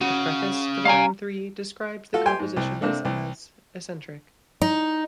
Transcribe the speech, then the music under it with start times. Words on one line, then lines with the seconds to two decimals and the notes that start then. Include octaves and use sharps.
The preface to volume three describes the compositions as "eccentric".
0.01 C#3 F#4
0.85 C#4 F5 G#5 A#5
2.14 F4 F#4 A4
2.25 G4 G5 G#5 C6
2.39 G#2
2.57 C2
2.81 C3 A#3 D4 A4
3.05 C2
4.61 D#4